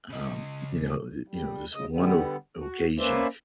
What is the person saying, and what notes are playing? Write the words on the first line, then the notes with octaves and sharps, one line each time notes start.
um, you know, eh, you know, this one o occasion,
C#3 D#5
G3
D2 C#3 D#5
D3 G3 B3
F#4
A#3 C#4 B4 C5 D5 E5